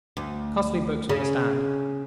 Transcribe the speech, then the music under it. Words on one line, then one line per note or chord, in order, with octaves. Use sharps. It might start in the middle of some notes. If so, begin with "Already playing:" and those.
Costly books on the stand.
D2
C#3